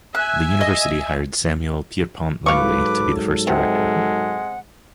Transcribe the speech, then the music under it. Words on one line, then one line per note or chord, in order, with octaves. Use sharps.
The University hired Samuel Pierpont Langley to be the first director.
E5 G#5 F#6
D#5
G#2 F#3 A4 B4 F5 C#6 D6
C3 G#3 F#5